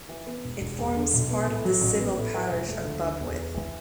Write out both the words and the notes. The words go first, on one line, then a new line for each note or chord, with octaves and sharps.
It forms part of the civil parish of Bubwith.
E3
B3
E1
E1
E2
D3
B1
B3
A2
F#3
A1
B3
A2
E3
E1
A3
D2
D3
E2
B4
E3